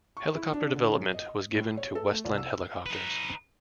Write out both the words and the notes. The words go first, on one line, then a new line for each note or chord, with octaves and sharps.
Helicopter development was given to Westland Helicopters.
C#6
E4
D4
D3
F#2
D#5
A2
C#5
A4
A3
C2
E6
D#4 B4